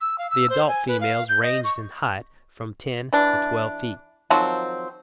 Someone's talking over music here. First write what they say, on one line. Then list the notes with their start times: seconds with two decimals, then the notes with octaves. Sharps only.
The adult females ranged in height from ten to twelve feet.
0.01 E6
0.18 F5
0.31 E6
0.50 C5
0.68 G#5
0.88 B4
1.01 F5
1.29 G6
1.43 D#5
1.64 C#6
3.13 E3 D4
4.30 D#3 F3 F#3 C4